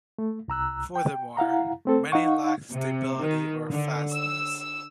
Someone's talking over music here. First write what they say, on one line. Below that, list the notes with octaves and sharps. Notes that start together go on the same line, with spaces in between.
Furthermore, many lacked stability, or fastness.
A3
C2 A#5 E6 F#6
G5
E4 F5 F#5 A#5
A3 C4 A4
D#4 F5 F#5 C#6
C3
D#3
D3
E6